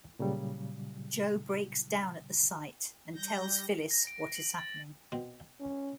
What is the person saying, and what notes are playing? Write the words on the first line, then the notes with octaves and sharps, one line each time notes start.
Joe breaks down at the sight and tells Phyllis what is happening.
A#2 C#3 F#3 G3
G3 G6 A#6
A#6
D7
F#7
A6
B2 C4
C#4